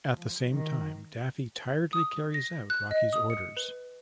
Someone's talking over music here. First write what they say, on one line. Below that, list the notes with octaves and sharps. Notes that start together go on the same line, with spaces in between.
At the same time, Daffy tiredly carries out Rocky's orders.
F3
D#3
D#6
A#6
F#6
D#5
D#6
C#7
B4